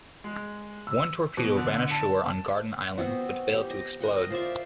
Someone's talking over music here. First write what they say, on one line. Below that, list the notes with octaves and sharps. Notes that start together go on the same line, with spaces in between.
One torpedo ran ashore on Garden Island, but failed to explode.
G#3
E6
B2
D3
A5
B3 C4 F#4
G4
D#5
A#4 D#5 F#5 G5
F4 C5 D5 E5